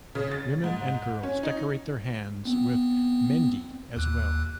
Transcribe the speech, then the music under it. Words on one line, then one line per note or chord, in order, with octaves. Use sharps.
Women and girls decorate their hands with mehndi as well.
C#3
A6
G#2
C#4
D#4
B3 C4
D#2 F#6